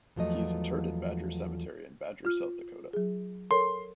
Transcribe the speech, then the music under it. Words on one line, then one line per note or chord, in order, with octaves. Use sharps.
He is interred at Badger Cemetery in Badger, South Dakota.
E2 F3 F#3 A3 D#5
F4 F6
F#3 G#4
A4 A#4 C#5 C6